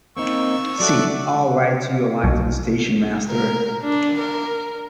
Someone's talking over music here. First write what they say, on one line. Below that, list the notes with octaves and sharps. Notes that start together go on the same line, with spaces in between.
See, I'll write you a line to the station-master.
A#3 C4 D#4 C#6 E6
F#3 A4 D5 E5 F#5
B1
A#4
D4
A#4